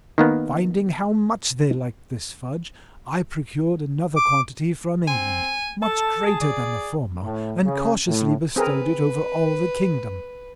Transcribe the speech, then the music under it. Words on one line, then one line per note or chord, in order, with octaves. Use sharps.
Finding how much they liked this fudge, I procured another quantity from England, much greater than the former, and cautiously bestowed it over all the kingdom.
D#3 A#3 B3
D6
C4 G#5
A4 A5
G#4
D5
A2
C#3
A2
C4 G#4 A#4 B4